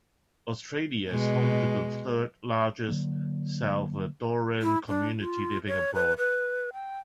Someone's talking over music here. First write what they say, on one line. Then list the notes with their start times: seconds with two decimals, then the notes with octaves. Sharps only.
Australia is home to the third largest Salvadoran community living abroad.
1.09 B2 G#3
2.89 D3 F#3 A#3
4.62 E4
4.88 D4
5.19 F4
5.67 C#5
5.94 B4
6.18 B4
6.73 G5